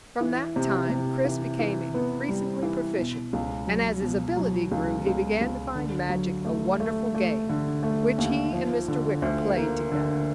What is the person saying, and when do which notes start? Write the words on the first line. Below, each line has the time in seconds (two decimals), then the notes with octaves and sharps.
From that time, Chris became increasingly proficient, and as his ability grew he began to find magic a wonderful game, which he and Mr. Wicker played together.
0.21 E3
0.56 C3
0.89 C3
1.25 E3
1.59 E3
1.94 B3
2.29 G3
2.63 E3
2.98 B2
3.33 C#2
3.67 F#3
4.02 B2
4.37 F#3
4.72 C#2
5.07 C#2
5.41 C#2
5.75 D3
6.10 F#3
6.45 A3
6.80 A3
7.15 A3
7.49 D3
7.83 A3
8.18 D#2
8.53 F3
8.88 D3
9.22 D2
9.57 A#3
9.92 D3